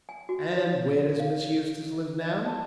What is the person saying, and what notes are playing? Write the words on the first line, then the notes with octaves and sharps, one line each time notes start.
"And where does Miss Eustace live now?"
G#5
F#4
C#5
F5
D#5
A5